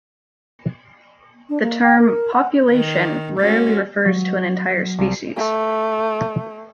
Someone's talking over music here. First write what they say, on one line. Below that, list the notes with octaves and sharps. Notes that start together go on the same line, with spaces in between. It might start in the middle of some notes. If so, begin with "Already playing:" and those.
The term "population" rarely refers to an entire species.
D4
A#3
G5
A#4
F#5
D#3
G#3 C#4 F#4
F#3
C2
A3